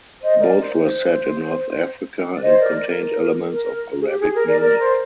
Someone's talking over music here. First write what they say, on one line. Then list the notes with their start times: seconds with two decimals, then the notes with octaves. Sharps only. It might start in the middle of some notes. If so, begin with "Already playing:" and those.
Both were set in North Africa and contained elements of Arabic music.
0.22 C5 D#5
0.40 A#4 D5
0.59 C5
0.77 C5
2.34 D5
2.41 C5 D#5
2.59 A#4 D5
2.78 A#4
3.51 A#4
4.00 G#4
4.06 G4
4.20 G#4
4.35 A#4
4.48 A#4 D5
4.61 A#4 D5
4.79 C5